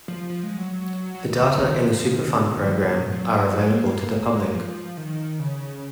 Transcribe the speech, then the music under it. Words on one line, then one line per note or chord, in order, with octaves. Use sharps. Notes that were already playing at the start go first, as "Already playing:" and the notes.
The data in the Superfund Program are available to the public.
F3
F3
G#3
F#3
F#3
D#3
B2
C#3
D#3
F3
F3
C#3
D#3
C#3
B2
D#3
F#3
F3
A#2
B2
F3
F#3
G#3
A#3
G#3
A#3
G#3
G#3
F3
D#3
C#3